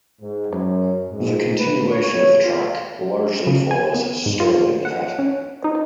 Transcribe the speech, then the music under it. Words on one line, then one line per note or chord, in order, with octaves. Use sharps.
The continuation of the track largely follows Sterling Avenue.
G#2
F#2
G#2
B4
C#5
F4
C#3
G#5
B3
G#2
F4
F#5
C#4
D#4